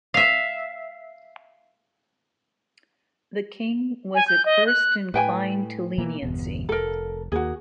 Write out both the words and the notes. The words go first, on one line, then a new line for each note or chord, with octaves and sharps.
The king was at first inclined to leniency.
E5 F5
G#5
G6
D#5
F#6
A2 B4 G5 G#5
B2 E3 A#3
G1 E2 B2
F1 A4 A#4
D#2 A#3 F#4 G#4